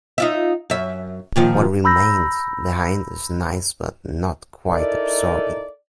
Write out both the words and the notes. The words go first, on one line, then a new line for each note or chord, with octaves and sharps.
What remained behind is nice but not quite absorbing.
D#4 F4 E5
F#2 E5
A#2 D#3 F3
A#5 B5 E6 G6 A#6
D#4 E4 A4 A#4 D5